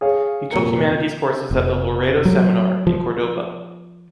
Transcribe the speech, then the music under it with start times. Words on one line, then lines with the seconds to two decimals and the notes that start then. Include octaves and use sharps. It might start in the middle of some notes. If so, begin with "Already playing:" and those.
He took Humanities courses at the Loreto Seminar, in Córdoba.
0.01 G#4 C#5 F5
0.51 F1 A#2 A#4 C#7
1.51 F1
2.25 F#3
2.87 F3